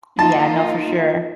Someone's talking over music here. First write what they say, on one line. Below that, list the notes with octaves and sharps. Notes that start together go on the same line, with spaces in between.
Yeah, no, for sure.
A#3 D#4 F4 A5